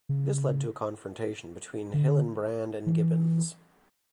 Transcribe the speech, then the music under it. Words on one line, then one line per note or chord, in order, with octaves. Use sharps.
This led to a confrontation between Hillenbrand and Gibbons.
C#3
D3
E3